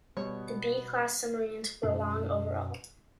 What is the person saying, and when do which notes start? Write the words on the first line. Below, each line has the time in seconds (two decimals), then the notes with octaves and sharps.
The B-class submarines were long overall.
0.17 B2 G3 B3 C#5
1.83 F#2 B2 D4